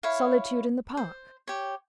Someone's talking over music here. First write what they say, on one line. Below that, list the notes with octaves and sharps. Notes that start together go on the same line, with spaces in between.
Solitude in the Park!
E4 C#5 F5
C5
G4 C#5